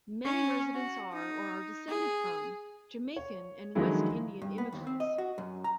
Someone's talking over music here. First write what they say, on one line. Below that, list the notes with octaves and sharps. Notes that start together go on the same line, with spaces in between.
Many residents are or are descended from Jamaican and West Indian immigrants.
C#4
F#4
D#4
G#4
C#5
D3 D#3 F3 F#3 G#3 E4
G2
B3
D#2
C4
D#5
F#4
F#2
A#5